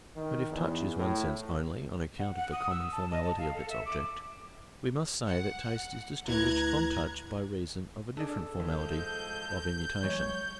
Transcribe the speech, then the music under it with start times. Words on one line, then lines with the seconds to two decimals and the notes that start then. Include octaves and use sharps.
But if touch is one sense only, on account of the common formality of its object: we must say that taste is distinguished from touch by reason of a different formality of immutation.
0.16 D#3
0.51 E2
0.98 A2
2.19 F#5
2.36 F#5
2.52 D#6
2.70 E6
2.92 A5
3.11 D#5
3.24 A5
3.38 F5
3.54 A4
3.69 E5
3.85 D6
5.26 F#5
6.28 D2 E4 B4 A#5 F#6 G#6
8.17 D4 G#4 A4 D5
8.60 D#3 F3 G#3 G6
10.03 E3 F#3 G#3 C#5